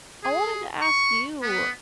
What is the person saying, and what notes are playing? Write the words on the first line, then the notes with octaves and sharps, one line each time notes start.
I wanted to ask you,
G#4
C#6
B3